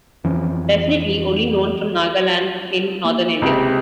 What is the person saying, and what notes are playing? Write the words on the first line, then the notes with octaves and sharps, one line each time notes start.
Definitely only known from Nagaland in northern India.
F2 E3 C#4
A#3
D1 C#2 C3